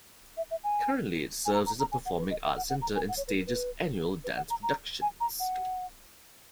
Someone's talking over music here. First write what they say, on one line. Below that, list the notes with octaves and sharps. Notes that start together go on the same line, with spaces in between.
Currently it serves as a performing arts center and stages annual dance productions.
E5
E5
G#5
G#5
A#5
A#5
A#5
G#5
F#5
B4
D#5
E5
F#5
F#5
A#5
G#5
F#5
C#5
B4
A#4
B4
B4
F#5
A#5
A#5
G#5
A#5
F#5